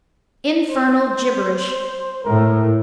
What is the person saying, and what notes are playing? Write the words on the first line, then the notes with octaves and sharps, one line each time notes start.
Infernal gibberish!
C5
A2 A#4